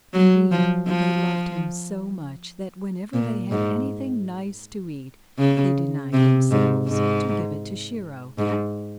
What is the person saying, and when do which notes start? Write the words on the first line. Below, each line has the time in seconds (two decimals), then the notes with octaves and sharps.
Indeed, they loved him so much that whenever they had anything nice to eat they denied themselves to give it to Shiro.
0.14 F#3
0.51 F3
0.88 F3
3.14 A#2
3.51 G#2
5.38 C#3
6.13 C3
6.51 G#2
6.89 G#2
8.38 G#2